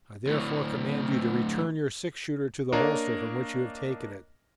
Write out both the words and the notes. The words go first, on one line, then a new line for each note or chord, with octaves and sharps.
I therefore command you to return your six-shooter to the holster from which you have taken it.
D2 A2
A#3 D4 A#4 C#5 D#5